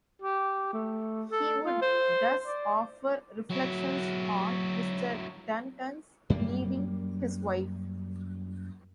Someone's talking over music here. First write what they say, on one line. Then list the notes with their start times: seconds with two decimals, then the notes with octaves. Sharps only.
He would thus offer Reflections on Mr. Dunton's leaving his wife.
0.22 G4
0.73 A3
1.31 A4
1.65 F4
1.82 C5
2.46 D5
3.50 F#3 E4
6.30 F#2 G3 A3 A#3